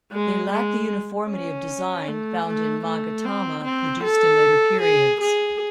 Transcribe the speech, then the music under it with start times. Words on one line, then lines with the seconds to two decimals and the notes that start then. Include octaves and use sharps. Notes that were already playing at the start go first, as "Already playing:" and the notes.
They lack the uniformity of design found in magatama produced in later periods.
0.12 G#3
0.51 G#3
1.29 C#4
2.08 A3
2.46 A3
2.85 A3
3.25 C4
3.64 C4
4.03 A4
4.81 G#4
5.20 G#4